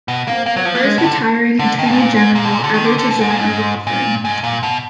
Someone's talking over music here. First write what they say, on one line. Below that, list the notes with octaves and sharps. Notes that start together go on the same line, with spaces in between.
He is the first retiring Attorney General ever to join a law firm.
B2
A#3
A#3
F#3
F3
A#3
G#3
B2
D3
D3
D#3
G#2
A#2
G#2
A#2
B2
A#2
D3
D#3
D3
D3
B2
G#2
A#2
G#2
A#2
G#2
A#2
B2